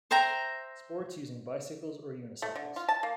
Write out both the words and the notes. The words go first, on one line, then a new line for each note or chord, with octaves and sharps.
Sports using bicycles or unicycles.
C5 E5 G5 A#5
A3
D3
F4
A5
A#3